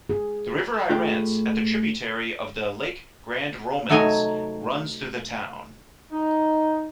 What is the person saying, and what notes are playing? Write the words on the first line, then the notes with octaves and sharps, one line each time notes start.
The river Irance, at tributary of the lake Grand Romans, runs through the town.
G#4
A2 F4 G4 G#4 G5
C3 F#3 A3 D#4 G#5 A#5
D#4